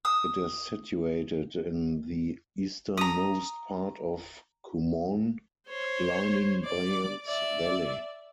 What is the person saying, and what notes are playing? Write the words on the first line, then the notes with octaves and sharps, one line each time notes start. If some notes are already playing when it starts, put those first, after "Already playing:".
It is situated in the easternmost part of Kumaun, lining Byans Valley.
D#6 E6
A#5 D#6
C5 C#5
D5 D6
D5 E5